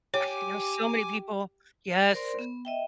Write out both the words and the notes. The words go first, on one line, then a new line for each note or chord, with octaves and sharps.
okay I know so many people yes.
G4 C#5 G#5 D6
A#4 C5 D5 C6
B3
D#5 E5 G5